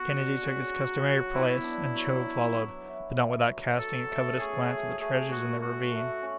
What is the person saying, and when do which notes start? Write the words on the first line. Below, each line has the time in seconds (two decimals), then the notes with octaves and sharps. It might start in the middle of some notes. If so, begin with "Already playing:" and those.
Kennedy took his customary place, and Joe followed, but not without casting a covetous glance at the treasures in the ravine.
Already playing: B3 F#4
0.11 D4
0.42 C#3
0.72 F#3
1.03 F#3
1.33 B3 E4
1.64 D4
1.94 F#3
2.25 F#3
2.55 F#3
2.86 E4
3.16 E4
3.47 F#3
3.78 F#3 A4
4.08 A3
4.38 C#4 G#4
4.69 A3
4.99 A3 G#4
5.30 A2 F#4
5.60 A2 F#4
5.91 A3
6.22 C#4